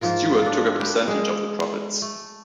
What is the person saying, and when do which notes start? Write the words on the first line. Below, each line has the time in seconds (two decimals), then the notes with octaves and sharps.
Stewart took a percentage of the profits.
0.01 G#2 F3 F4 A#4
0.42 D4 F4
0.80 G4 B4
1.08 G#3
2.02 A3